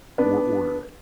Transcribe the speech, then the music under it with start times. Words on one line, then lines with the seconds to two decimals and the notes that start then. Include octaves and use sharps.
or order it.
0.18 B3 D4